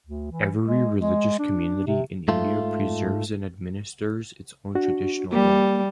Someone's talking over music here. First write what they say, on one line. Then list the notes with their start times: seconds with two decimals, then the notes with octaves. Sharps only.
Every religious community in India preserves and administers its own traditional law.
0.07 D2
0.32 E3
0.66 G#3
1.00 G#3
1.39 D4
1.87 C3
2.28 G#2 A3 F4
4.75 D4 F#4
5.33 G3 A#3